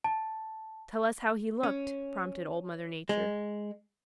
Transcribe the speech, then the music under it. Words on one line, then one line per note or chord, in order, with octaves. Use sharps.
"Tell us how he looked," prompted Old Mother Nature.
A5
C#4
G#3